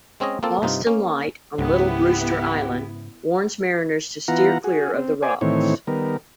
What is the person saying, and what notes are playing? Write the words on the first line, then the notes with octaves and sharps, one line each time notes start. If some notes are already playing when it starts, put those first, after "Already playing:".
Boston Light on Little Brewster Island warns mariners to steer clear of the rocks.
G#3 C4 C#4 G#4 D#5
A#3 C4 F4 A4
G2 C3 D#4 F4
A#3 C#4
C#2 G#2 C#3 B3 E4 G4 F#5
E3 B3 F4 F#5 A#5
F#4 G#4
C4
C5 D5 G#5
A2 D#3 E3 C4 C#5
D#3 G3 B3 A#4